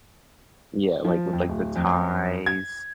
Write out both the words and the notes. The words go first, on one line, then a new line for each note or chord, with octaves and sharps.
Yeah, like, with, like, the ties
F3
F2
D1
F2
G#6